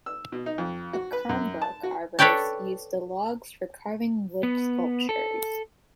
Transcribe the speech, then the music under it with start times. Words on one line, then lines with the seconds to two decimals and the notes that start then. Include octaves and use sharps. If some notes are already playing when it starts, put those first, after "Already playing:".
"Akamba" carvers use the logs for carving wood sculptures.
0.06 E6
0.32 B2
0.46 D#4
0.58 F2
0.93 F#4
1.13 B4
1.29 F#2
1.62 A5
1.83 F#4
2.19 A4 B4 C#5 D5 G5 A5
4.43 B3
5.09 A4